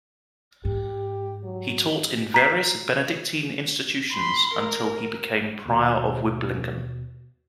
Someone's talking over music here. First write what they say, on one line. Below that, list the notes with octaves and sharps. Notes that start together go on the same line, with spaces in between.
He taught in various Benedictine institutions until he became prior of Wiblingen.
G#2 G4
F#3
A#5 B6 C7
B5 C6
A#4
D#2 B2